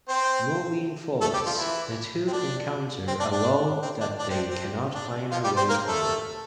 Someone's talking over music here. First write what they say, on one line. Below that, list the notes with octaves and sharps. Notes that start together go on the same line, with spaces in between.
Moving forward, the two encounter a wall that they cannot find a way over.
C4 C5
A3 A4
G3 G4
F3 F4
E3 E4
C4
D4
C4
D4
D4
C4
D4
D4
C4
C4
D4
F3 F4
G3 G4
C4 C5
A#3 A#4
A3 A4